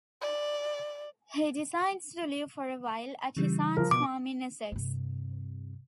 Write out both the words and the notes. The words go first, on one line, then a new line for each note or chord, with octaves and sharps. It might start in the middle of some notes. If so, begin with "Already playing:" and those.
He decides to live for a while at his aunt's farm in Essex.
D5
C#3 E3 G3
F3 A#4
B2 D6
G2 C3